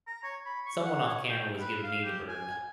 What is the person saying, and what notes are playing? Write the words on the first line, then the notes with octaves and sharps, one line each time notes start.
someone off camera was giving me the bird,
A#5
C#5
B5
C#6
F#5
C#5
G5
B4
F5
G4
G#5